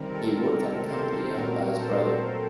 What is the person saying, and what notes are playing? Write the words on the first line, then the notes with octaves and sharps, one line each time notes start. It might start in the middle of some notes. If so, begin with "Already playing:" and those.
He worked at a company owned by his brother.
Already playing: C3 D#3 G3 C4 A#4
A4
A#4
A4 C5
A#2 F#3 A3 C4 A#4
A4 C5